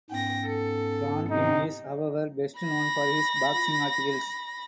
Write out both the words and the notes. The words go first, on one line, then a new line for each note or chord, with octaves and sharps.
Frauenheim is, however, best known for his boxing articles.
G#2 B3 C#4 G5 A#6
A4
C3 D#4
B5 A#6